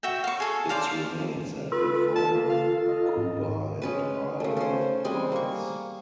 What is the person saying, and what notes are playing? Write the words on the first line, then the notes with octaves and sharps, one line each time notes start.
Its remains have been found on Cuba and Isle of Pines.
F#4 E5 G5
F5 C#6
G#4 A4
C5 D5 F5 A5
F4 A4 B4
A5
A#3
F5
D#5
G#2
G#3 C#4 B4
C#3 A3
C#4 C5
G3 G#3 C4 G#5
A#3 C#6